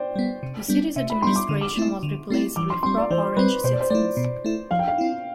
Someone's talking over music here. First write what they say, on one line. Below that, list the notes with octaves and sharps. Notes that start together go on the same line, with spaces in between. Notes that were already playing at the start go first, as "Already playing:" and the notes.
The city's administration was replaced with pro-Orange citizens.
Already playing: C5 D5 G5
G3 B3
C3
G3 B3 D4
C3 E5
B5
G3 B3 D4 C6
D6
D3
D6
A3 C4 E4
D3
A3 C4 E4
E3 D6
C6
G3 C4 C6
D5
E3 C5
G3 C4 B4
B2 C5
D5
C5
A3 E4 D5
B2
A3 E4
F3 F5
G5
F5
C4 E4